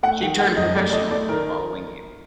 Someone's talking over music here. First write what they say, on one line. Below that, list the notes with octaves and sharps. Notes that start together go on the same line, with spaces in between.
She turned professional the following year.
A3 F#5
D#3 G5
A3 F#5
F#2 D#5
D#5
A3 D5
D5
A3 D#5
A3 D5
D#3 A#4